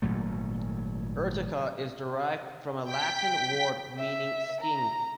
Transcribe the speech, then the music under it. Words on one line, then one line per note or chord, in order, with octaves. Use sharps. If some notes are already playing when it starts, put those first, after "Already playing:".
"Urtica" is derived from a Latin word meaning 'sting'.
G#1 A#2 F#3 A3
G5 B6
E5
A#5